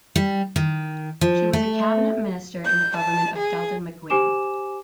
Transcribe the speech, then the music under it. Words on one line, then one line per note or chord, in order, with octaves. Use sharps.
She was a cabinet minister in the government of Dalton McGuinty.
G3
D#3
F3
A3
G6
A5
G#4
G4 C5 G#5 D6 E7